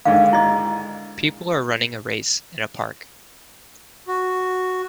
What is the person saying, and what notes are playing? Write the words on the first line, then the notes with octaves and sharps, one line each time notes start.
People are running a race in a park.
G#2 D3 D#3 F5
E4 D#5
F#4